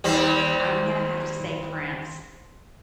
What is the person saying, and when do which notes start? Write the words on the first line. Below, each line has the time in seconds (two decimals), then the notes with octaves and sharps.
I'm gonna have to say Prince.
0.04 D#2 G3 C4